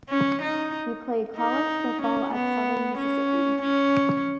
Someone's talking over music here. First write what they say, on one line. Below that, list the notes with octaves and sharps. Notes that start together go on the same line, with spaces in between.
He played college football at Southern Mississippi.
C#4
D#4
D#4
C#4
B3
C#4
C#4